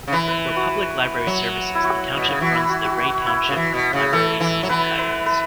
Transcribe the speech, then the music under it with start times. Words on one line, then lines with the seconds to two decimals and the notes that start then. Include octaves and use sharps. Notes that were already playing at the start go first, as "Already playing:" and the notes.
For public library services, the Township runs the Ray Township Library in Wolcott Mills.
0.08 C#3
0.13 E3 B4
0.28 B4
0.56 F#4
1.27 F#3
1.75 E4
1.84 F#4
2.17 B2
2.29 C#3
2.41 E3 F#4
2.55 E4
2.69 F#4
2.84 F#4
2.99 F#4
3.26 E4
3.49 C#3
3.56 E3
3.74 B2
3.93 C#3
4.13 E3 A4
4.40 E3
4.63 F#3
4.69 E3 B4
4.99 B4
5.26 B4